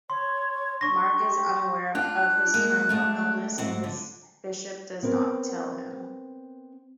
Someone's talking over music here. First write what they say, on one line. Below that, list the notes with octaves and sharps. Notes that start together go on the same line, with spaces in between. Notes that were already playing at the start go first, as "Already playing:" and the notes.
Mark is unaware of his terminal illness and his bishop does not tell him.
C#5 C6
D4 C#6 A#6
G4
D4 F4 F#6
G#3 A#3
G#3 A3 D4
G#2 C4 F#5
D3
B3 C4 A#4 C#5